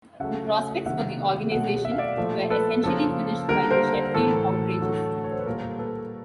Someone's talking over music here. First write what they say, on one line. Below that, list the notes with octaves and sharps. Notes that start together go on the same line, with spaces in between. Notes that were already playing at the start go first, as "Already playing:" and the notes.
The prospects for the organisation were essentially finished by the Sheffield Outrages.
C#3 F#3 A3 E5 F#5
C3 D#3 F#3 A#3 E5 F#5
B2 F#3 A3 E5 F#5
E5
F5
D5 E5
A#2 F3 A3
A4 B4
C#3 F3 A#3 A4
D3 G3 A#3 A#4
A#4 C5
A#4
A2 E3 A3 A4
D3 F#3 A3
C#5
C5
B4
A#2 G3 A#3 A#4
A4
A4 B4